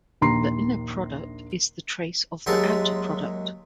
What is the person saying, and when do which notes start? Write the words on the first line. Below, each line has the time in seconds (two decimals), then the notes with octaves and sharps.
The inner product is the trace of the outer product.
0.21 A#1 D#2 A#5 C6 C7
2.46 D#2 F#3 G#3 E5 A5 C6